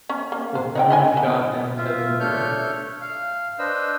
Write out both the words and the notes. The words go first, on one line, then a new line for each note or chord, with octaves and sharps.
The film was shot in Telugu.
C#4
A#3
C5
D#4 D#5 G5
E4 D#5 G#5
B3
F4 E5
A3 D4 A4 C#5 F6 G6
F5
D4 B4 C5 D#5 E6